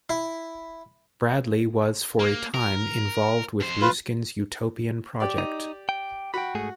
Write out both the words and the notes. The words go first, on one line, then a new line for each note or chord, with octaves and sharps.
Bradley was for a time involved with Ruskin's utopian project.
E4
A#3
A#4
F2 C5
F4 B4
G4 D5
D#4
G5
F#4 G5 B5
G#2 A3 G#4